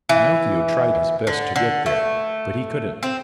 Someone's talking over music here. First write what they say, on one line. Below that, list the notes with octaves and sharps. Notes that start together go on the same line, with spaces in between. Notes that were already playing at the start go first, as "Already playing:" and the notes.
Pinocchio tried his best to get there, but he couldn't.
E3
D3
D3
A3
C4